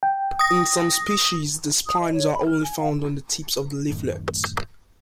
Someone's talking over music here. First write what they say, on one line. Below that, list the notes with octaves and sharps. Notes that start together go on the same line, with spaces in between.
In some species the spines are only found on the tips of the leaflets.
G5
D#6 A#6
D#6
D#5
C#5
B5
F6
G#5
F5
A1 F#2 A2 D#3